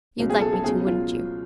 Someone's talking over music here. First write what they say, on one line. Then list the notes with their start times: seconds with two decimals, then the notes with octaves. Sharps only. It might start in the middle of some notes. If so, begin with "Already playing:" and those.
You'd like me to, wouldn't you?'
0.18 C#2 B2 F#3
0.30 G#4
0.41 A4
0.53 A4
0.64 C#2 B2 F#3 G#4
0.87 F4